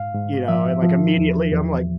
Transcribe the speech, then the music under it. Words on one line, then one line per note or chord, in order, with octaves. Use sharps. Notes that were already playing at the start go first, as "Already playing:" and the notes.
you know, and, like, immediately, I'm like
Already playing: G#2 F5
G#2
F3 E5
F3
E2
E2